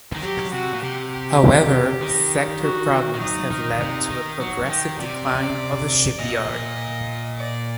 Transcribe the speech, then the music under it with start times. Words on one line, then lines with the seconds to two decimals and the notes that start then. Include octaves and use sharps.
However, sector problems have led to a progressive decline of the shipyard.
0.16 D#3
0.23 F#3 G4
0.52 C3 F#4
0.74 A#2
0.83 C3 G4
1.12 G4
2.02 D#3
2.61 F#4
3.15 D#3
3.21 F#3 D#4
3.51 D#3
3.81 C3
4.10 D#3
4.40 F#3 F#4
4.66 F#3
4.70 D#3 G4
5.00 C3 D5
6.20 A#2 D#5
7.39 D5